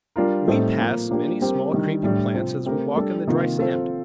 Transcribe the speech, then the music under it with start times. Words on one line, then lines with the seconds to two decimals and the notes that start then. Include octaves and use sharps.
We pass many small creeping plants as we walk in the dry sand.
0.16 G3 D4 F4 A#4
0.47 A2 G3 C4 D#4 A4
0.78 A#2 F3 A#3
1.09 F3 A#3 D4 G4
1.41 G3 C4 G4 A#4
1.72 D#3 G3 D4
2.03 A2 G3 D4
2.34 C3 F3 C4
2.65 A3 C4 G4 A#4
2.96 G3 D4 A4
3.27 C3 D#3 A#3 F4
3.59 F3 C4 F4 A4